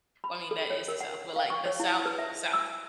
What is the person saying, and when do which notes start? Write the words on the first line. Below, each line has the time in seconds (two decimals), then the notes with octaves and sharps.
Well, I mean, that is the South, but, like, the South, South.
0.24 B5
0.51 A4
0.70 C#5
0.88 A#4
1.00 F#5
1.36 F5
1.50 C#6
1.66 C#5
1.80 E4
2.06 B4
2.18 E5
2.53 E6